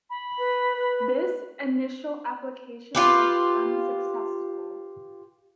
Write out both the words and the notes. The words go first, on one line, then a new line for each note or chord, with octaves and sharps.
This initial application was unsuccessful.
B5
B4
B4
F4 G4 B4